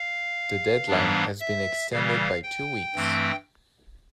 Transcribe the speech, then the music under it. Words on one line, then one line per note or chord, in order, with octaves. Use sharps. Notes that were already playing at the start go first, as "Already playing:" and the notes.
The deadline has been extended by two weeks.
Already playing: F5
G#2 E3 G3 B3 D4
E5
C#3 E3 G3 F5
G5
G2 E3 A3 C4